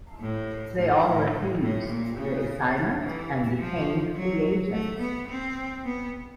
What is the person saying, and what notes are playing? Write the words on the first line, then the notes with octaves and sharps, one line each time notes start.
They all refused the assignment and became free agents.
A2
A2
A2
A2
A#2
C#3
C#3
E3
F3
F#3
A3
B3
C4
B3